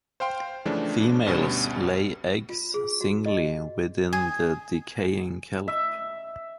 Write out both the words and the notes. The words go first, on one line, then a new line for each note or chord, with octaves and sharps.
Females lay eggs singly within the decaying kelp.
C5 F5 G5 C6
C#3 E3 F3 G#3 A3 D4
D2 G2 B2 G3 B3 C#4
F4
G#4
F#4
D#5
G#4
E5